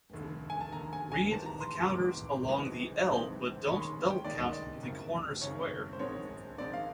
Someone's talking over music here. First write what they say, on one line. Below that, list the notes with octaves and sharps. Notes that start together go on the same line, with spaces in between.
Read the counters along the L but don't double count the corner square.
F1 D#2 D3
G#5
A5
F1 D#2 D3 A#5
G#5
G#5
G#1 G#2 E3 A5
A#5
C6
C6
G#1 G#2 E3 D6
A#1 G#2 E3 G#3 C4
A#1 G#2 E3 G#3 C4
D#2 D#3 G#3 C#4 C#6
B5
C6
G5
D#2 D#3 G#3 C#4 D5
D#5
D5
G#1 F#2 C#3
G#1 F#2 C#3 C#5
C5
A#1 G#2 D#3 G#3 C4 C#5
A#1 G#2 D#3 G#3 C4 D5
F5